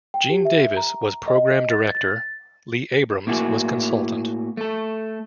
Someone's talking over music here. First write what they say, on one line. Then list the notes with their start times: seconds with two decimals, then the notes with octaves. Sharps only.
Gene Davis was Program Director, Lee Abrams was consultant.
0.14 G5
0.29 G4
0.45 E5
0.77 A#5
1.28 D#5
1.70 A6
1.95 A6
3.27 A2 A#3 E4 F#4 G#4
4.57 A3 A4